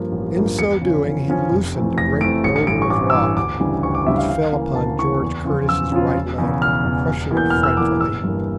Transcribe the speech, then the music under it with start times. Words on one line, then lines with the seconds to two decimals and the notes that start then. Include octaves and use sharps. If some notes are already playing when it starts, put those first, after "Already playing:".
In so doing he loosened a great boulder of rock, which fell upon George Curtis's right leg, crushing it frightfully.
Already playing: G2 F3 A#3
0.12 A1
0.35 G2 F3 A#3
0.58 E2 C#7
0.81 C#3 F3 C#4
1.05 E2
1.28 C#3 F3 C#4
1.51 F1
1.74 F2 E3 A3
1.98 F1 A#6
2.21 F2 E3 A3 D7
2.44 A1 C#7
2.56 C#7
2.67 G2 E3 D7
2.82 C#6
2.90 A1 D6
3.10 E6
3.13 G2 E3 D6
3.37 D2 D6
3.60 C#3 E3 G3 D4
3.83 D2 C#6
3.95 D6
4.07 C#3 E3 G3 D4 E5
4.18 F5
4.29 D2 F5
4.53 C#3 E3 A#3
4.75 D2 A5
4.99 C#3 E3 A#3 C#6
5.22 E2
5.45 C#3 F3 C#4 F4
5.68 E2 E6
5.92 C#3 F3 C#4 F4
6.15 E1
6.38 E2 C#3
6.61 E1 F6
6.85 E2 C#3
7.08 E1
7.30 E2 E3 A#3 E4
7.37 G6
7.50 E1 F6
7.63 E6
7.77 E2 E3 A#3 E4 D6
8.01 G1 E6
8.24 G2 E3 A#3